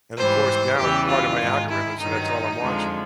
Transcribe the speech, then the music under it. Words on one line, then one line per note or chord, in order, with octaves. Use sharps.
and of course, now, it's part of my algorithm, so that's all I'm watching.
G#2 E3 G3 C5
E2 C#3 E3 G3 G4
F4
G#2 D#3 G#3
E4
G2 D#3 F#3 D#4
F2 D3 F3 G#3